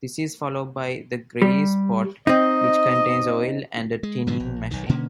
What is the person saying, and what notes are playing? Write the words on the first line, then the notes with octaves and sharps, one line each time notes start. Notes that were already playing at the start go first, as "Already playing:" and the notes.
This is followed by the grease pot, which contains oil and a "tinning machine".
G3
C4 D#4 D#5
G#3
G#2 D3 F3 F#3
A#1
B1 D#3
B2 D3 A#3 C#4